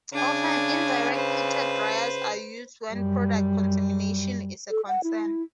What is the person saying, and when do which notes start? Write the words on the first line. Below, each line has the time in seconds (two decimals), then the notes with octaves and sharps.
Often, indirect heated dryers are used when product contamination is a concern.
0.13 C#3 D4 G#5
1.14 B4 C5
2.93 F#2 G3
4.70 A4
4.88 F#5
5.04 E4